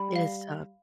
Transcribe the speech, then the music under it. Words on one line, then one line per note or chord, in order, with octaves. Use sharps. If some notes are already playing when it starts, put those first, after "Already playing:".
It is tough.
Already playing: G3 B5
F5